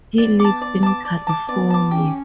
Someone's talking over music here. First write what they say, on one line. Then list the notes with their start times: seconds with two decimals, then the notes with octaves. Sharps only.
He lives in California.
0.18 B3 D5
0.40 A5 D6
0.61 D5
0.83 A5 D6
1.05 D5
1.27 A5 D6
1.48 B3 D5
1.70 A5 D6
1.91 C#4 G4